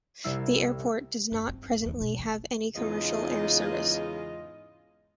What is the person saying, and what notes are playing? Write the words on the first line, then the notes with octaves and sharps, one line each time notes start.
The airport does not presently have any commercial air service.
C2 C3 G3 E4 E6 C7
G2
C4
G#2
D#2 E3
B2 D4
E3
E2 G#2 C#3 G#3 F4 D#5